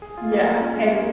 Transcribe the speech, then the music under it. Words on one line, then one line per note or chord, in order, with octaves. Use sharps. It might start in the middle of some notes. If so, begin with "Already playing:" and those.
Yeah, and
G#4
F4
A#3
F4
C#4
G#3
A#3